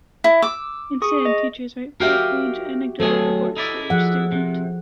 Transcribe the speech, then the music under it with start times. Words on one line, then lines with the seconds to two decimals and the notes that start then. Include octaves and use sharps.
Instead, teachers write full-page anecdotal reports for each student.
0.24 E4
0.42 D6 E6
1.02 G#4 C#6 D#6
1.25 D#5
2.00 F#4 G4 A#4 E5 F5 G5
3.00 F#3 A3 G#4 A4
3.57 D#4 E4 D5
3.90 F3 G#4 F#5
4.32 C3